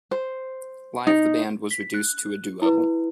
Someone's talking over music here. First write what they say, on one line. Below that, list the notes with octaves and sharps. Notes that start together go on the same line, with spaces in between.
Live the band was reduced to a duo.
C5
D#4
B6
F#6
E4 B4